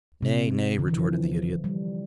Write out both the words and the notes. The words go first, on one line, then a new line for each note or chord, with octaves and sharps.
"Nay, nay," retorted the Idiot.
C3
D3
E3
F3
G3